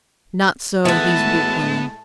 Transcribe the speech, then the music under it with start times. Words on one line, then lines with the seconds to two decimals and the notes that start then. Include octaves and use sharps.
Not so these weak women.
0.85 A2 E3 G#3 A3 B3 F#4 A5